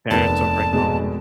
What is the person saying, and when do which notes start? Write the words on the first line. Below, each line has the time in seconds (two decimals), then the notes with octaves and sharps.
parents will bring home."
0.10 F1 D#2 B3 B4 A5 D7
0.73 B2 G#3